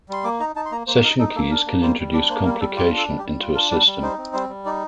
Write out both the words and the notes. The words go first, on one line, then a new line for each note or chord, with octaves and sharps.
Session keys can introduce complication into a system.
G3 C6
A#3 D6
D#4 A#5
D#4 A5
C6
A#3 A#5
A#3 C5
D#4 A#4
D#4 A4
A#3 A4
D4 A#4
A#3
G3 C5
G3
D4 D5
A#3 C5
G3 A#4
G3 A4
F4 G4
D4
A4
G3
G4
G3
F4
D4 A#4
G3 D5
G3
D#4 C5
C4
G3 C5
G3
D#4 D5